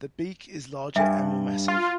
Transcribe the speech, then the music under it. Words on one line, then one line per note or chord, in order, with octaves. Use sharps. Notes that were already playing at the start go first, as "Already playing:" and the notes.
The beak is larger and more massive.
G2 E5 G5 G#5
F4